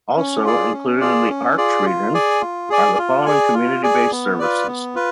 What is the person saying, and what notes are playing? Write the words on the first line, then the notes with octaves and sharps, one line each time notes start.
Also included in the Arch region are the following community-based services.
C#4
F4 G#4 D5
C#4
F4 G#4 D5
C#4
F4 G#4 D5
F4
G#4 D5 G#5
F4
G#4 D5 G#5
F4
G#4 D5 G#5
F4
G#4 D5 G#5
B3
F4 B4 D5
B3
F4 B4